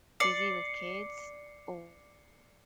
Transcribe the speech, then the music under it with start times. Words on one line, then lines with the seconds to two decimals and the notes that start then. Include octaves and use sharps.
busy with kids or
0.20 D5 C7 C#7